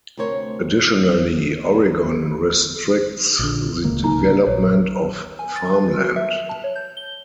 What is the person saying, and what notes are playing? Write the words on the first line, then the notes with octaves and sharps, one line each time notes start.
Additionally, Oregon restricts the development of farmland.
D2 C3 A#4 C5 C#5
A#1 D3
D1 C#2 A#3
D#4 A#5
A#1 C#5
G#5
A6
B4
F#4
E5
A5
C#5
G6
G7